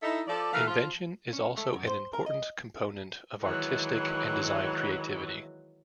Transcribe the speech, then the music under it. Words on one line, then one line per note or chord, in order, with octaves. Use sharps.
Invention is also an important component of artistic and design creativity.
D#4 E4 A4 D#5 E5
F3 A4 D5
E3 A3 A#4 F5
F3 F4
C#4
A3
F#2
C5
A#4
D#5
D#3 E3 F#3 G#3